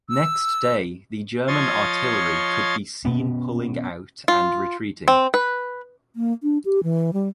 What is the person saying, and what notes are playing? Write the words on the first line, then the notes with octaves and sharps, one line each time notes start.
Next day the German artillery could be seen pulling out and retreating.
E6
F3 C#5 D#5 C6 G#6 A6
B2 B3 C#4
F4
C4
B4
A#3
D4
G4
E3
G3